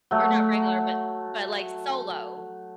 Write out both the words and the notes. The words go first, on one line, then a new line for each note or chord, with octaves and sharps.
Or not regular, but but, like, solo?
F#3 A3